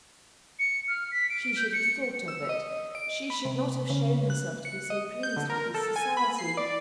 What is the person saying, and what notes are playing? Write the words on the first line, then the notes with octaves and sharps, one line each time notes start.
She should have thought of it; she should not have shown herself to be so pleased with his society.
C#7
F6
B6
D7
G6
C#7
E6
D#5
D7
B5
C3
C#3
F#6
C#7
D#5
G6
D3
A#4
A4
G#5
B5
C7
D5